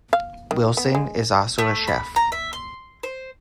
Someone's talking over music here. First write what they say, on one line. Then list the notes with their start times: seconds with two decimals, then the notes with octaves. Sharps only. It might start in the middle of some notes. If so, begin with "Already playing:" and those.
Wilson is also a chef.
0.13 F5
0.51 D#3
0.77 B3
0.95 G#3
1.58 A3
1.87 B5
2.16 A#5
2.32 E5
2.53 C6
3.03 C5